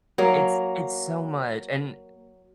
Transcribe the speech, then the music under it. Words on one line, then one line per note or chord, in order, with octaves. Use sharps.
It's it's so much, and,
F#3 A#3